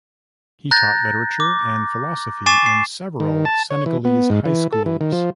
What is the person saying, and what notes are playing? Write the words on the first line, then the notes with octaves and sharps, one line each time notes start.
He taught literature and philosophy in several Senegalese high schools.
A#5 F#6 G6 A6 A#6
D6
G#5 C#6 D6 A6 C7 E7
C7
D#3
A5
C#5
E3
B3
G#2
E3
A4
E3
D#3
F3